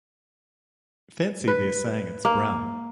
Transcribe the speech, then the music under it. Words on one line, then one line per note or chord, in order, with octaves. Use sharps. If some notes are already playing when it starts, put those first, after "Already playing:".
Fancy their saying it’s brown.
B4
A#3